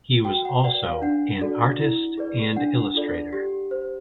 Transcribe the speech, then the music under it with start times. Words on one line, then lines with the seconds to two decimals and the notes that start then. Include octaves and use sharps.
He was also an artist and illustrator.
0.25 F#4 G5
0.45 F#5
0.64 B4 D5 F#5
0.84 F5
1.02 D4 F#5
1.41 F#4 A4 D5
1.79 E4
2.18 G#4 B4 D5
2.56 D4 F#5
2.95 F4 A4 D5
3.33 G4
3.71 C5